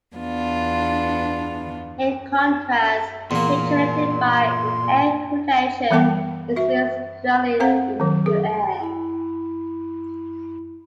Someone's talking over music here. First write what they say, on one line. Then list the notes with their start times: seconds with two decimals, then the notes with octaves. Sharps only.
In contrast, heat generated by an air-cooled engine is released directly into the air.
0.15 E2 B3 D4 F4
3.31 E2 A#2 A#3 C6
5.91 E3 G3 B3 G5 A5 D6
6.56 F#4 E5
7.60 C4 C5 F5 F#5 A#5
8.00 D#3 F#3
8.26 G#4
8.80 E4 B5